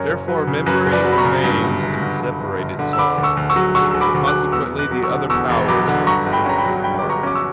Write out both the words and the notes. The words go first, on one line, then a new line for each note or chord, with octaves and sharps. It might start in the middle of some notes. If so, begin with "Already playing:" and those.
Therefore memory remains in the separated soul; and consequently the other powers of the sensitive part.
Already playing: F#2 A#4 C#5
F#1
F#3 B4
C#3
F#2 B4
F#1
B4 D5
F#3
B5
A#5 C#6
C#3
G2
G1
G1
D3
G2
G1
G1
D3
E6
D3 B5 D6
D2
C#6 E6
D2
C#6 E6
F#3
D3 C#6 E6
D2 E6
B5 D6
D2
D6 F#6
F#3
E2 C#6 E6
E1
D6 F#6
F#3
C#6 E6
D3
E2 C#6 E6
E1
F#3 B5 D6
D3
G2 A#5 C#6
G1
G5 B5
C#4 A#5
G5 B5
F#3
G2 G5 B5
G1 D6
A#5 C#6
C#4 D6
C#6 E6